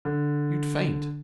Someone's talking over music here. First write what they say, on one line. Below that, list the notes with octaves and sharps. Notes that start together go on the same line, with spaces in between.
You'd faint.
D3